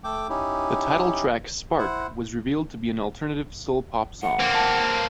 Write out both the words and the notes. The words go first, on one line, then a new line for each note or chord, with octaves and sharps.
The title track "Spark" was revealed to be an alternative soul pop song.
A3 A4 G5 D6
C#4 D#4 E4 G4
E4 C5 F#5
F#5
A#3 C4
A5